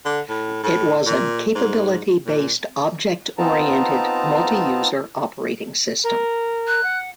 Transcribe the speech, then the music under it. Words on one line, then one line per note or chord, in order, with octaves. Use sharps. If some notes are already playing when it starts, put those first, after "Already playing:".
It was an capability-based object-oriented multi-user operating system.
D3
A2
A2
A#2
G#2
A#2
B3 C4 D#4 F4 A5 A#5
A#4
F#6
F#5